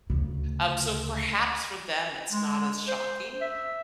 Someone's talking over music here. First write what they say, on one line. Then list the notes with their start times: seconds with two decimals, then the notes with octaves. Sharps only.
Um, so perhaps for them, it's not as shocking,
0.10 D2 C#3
2.31 G#3
2.88 C5
3.41 E5